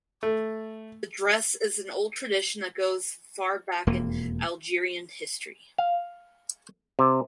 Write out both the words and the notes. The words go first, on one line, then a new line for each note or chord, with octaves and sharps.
The dress is an old tradition that goes far back in Algerian history.
A3
E1 F2 A#3
F5
C3